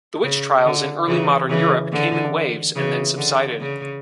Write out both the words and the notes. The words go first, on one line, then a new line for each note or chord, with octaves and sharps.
The witch trials in Early Modern Europe came in waves and then subsided.
C#3
D3
C#3 E3
C#3 E3
D3
C#3 E3
D3
C#3